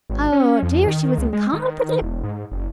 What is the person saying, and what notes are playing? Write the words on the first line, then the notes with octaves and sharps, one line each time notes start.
Oh dear, she was incompetent!
G#1
C#4
F2
D#3
C#2
G#3
D#3
E1
G#2
F#1